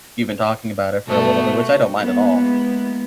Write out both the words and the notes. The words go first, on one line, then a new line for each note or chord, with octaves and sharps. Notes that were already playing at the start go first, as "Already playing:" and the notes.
you've been talking about it for a little bit, which I don't mind at all.
B1 A3 B3 F#4
G#3 A#3 B3 E4